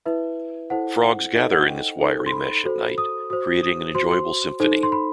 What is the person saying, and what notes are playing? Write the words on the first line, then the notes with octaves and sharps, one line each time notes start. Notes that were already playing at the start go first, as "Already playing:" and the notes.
Frogs gather in this wiry mesh at night, creating an enjoyable symphony.
E4 B4 E5
E4 A4 C5 F#5
F#5
D#4 A4 C5 D#5
F#5
G5
D#4 A4 C5
C6
B5
F#4 A4 C5
D#6
F#4 C5 D#6
D#6
F#4 C5 C6
C6
D#4 A4 C5
C6
B5